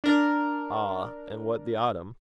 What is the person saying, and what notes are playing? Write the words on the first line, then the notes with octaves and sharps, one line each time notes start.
Ah! and what the autumn?
D4 A#4